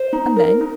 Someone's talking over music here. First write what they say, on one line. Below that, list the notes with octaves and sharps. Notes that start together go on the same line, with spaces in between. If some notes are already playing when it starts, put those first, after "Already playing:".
"And then?"
Already playing: C5
D#4
A#4
D#4